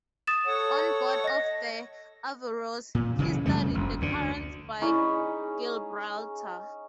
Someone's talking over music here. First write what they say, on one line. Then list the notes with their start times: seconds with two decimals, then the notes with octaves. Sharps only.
On board of the "Averroes", he studied the currents by Gibraltar.
0.27 D#6 A6 E7
0.46 A4 C#5 F#5
1.24 D#5 A#6
2.95 A#2
3.19 C#3 E3 F#3
3.45 F#2 C#3 G3 A3
3.74 F#1 D2
4.01 D2 D3
4.82 C#4 D#4 E4 G#4 B5